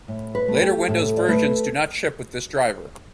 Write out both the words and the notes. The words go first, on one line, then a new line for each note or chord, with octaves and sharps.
Later Windows versions do not ship with this driver.
A2
B4
A3
G4
A2 A4
D5
A3 B4